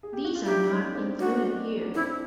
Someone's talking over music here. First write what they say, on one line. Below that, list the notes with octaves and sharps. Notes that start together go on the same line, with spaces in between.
These are not included here.
G#4
G4
F#4
F4
D4 E4 G4
C#4 D#4
C4 D4
C4 D4 F#4
C#4
C4 D4 E4